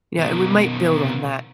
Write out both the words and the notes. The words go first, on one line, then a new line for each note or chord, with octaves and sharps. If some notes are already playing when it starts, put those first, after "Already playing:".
you know, and we might build on that.
B2 D#3